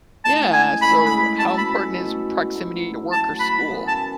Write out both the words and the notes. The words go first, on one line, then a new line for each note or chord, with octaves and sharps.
Yeah, so how important is proximity to work or school
A2 G#3 C#4 G#4 A5
G#5
A2 G#3 C#4 G#4 B5
B5
B2 A3 E4 A4 A5
B5
B2 A3 E4 A4
F#3 A3 E4
F#3 A3 E4 A5
B5
F#2 E3 B3 E4
A5